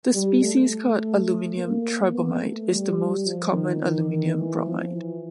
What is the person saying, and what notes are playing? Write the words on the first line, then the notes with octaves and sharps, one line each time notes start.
The species called "aluminium tribromide," is the most common aluminium bromide.
G3
A3
A#3
B3
A3
G3
G3
F3
D#3
D#3
D#3
E3
F3
E3